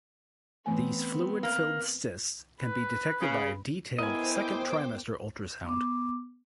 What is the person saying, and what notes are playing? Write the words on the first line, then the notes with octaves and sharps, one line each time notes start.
These fluid-filled cysts can be detected by a detailed second trimester ultrasound.
E3 A3 B3 C4 G#5
A#3
B4
C#3
B3 E4 A#4 C5 D#5 G5 G#5 D6
B3 D6